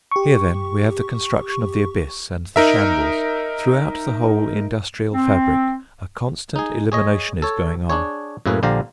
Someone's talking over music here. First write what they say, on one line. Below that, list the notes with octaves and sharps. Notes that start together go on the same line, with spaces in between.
Here, then, we have the construction of the Abyss and the shambles. Throughout the whole industrial fabric a constant elimination is going on.
G4 C#6
D#4 A#4 E5
C4
D#4 G#4
G#4 C#5 D#5
A4 C#5
D4 G#4 C#5
F#2 A2 A#3 G#4 B4
A#1 D3 G4 C5 F5 A#5